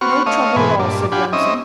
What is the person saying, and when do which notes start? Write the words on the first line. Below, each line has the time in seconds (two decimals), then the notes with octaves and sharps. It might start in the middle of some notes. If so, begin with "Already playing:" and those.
"No trouble at all," said Remsen.
0.01 B3 C4 F#4 C#6 F6
0.26 A3 C#5 D#5 F5
0.56 G#2 B2 E3 C4 B4 G#5
0.79 G2 A#2 D4
1.12 D4 F4 G4 F#5 G#5 B5
1.33 C4 C#4 D#4 D#5 E5